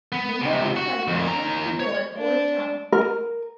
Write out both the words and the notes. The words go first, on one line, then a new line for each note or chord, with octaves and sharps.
The former site was simply called Old Town.
B3
C#2 C3
F#4
F2 A#2
D#2 A#5
C#5
D4
A#4